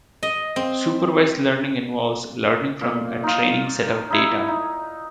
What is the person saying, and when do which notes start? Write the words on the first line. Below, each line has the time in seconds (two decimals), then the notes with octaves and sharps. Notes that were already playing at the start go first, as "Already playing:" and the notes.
Supervised learning involves learning from a training set of data.
0.23 D#5
0.56 C4
2.81 A#2
3.23 D#4 F4
4.10 D#4 E4
4.48 D#4